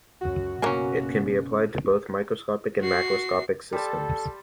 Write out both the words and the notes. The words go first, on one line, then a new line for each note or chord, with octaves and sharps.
It can be applied to both microscopic and macroscopic systems.
C#2 F#2 F#4
F#1 B2 F#3 A#3 C#4 A#4 G#5
F#4 C7
G3 A4 C5 A5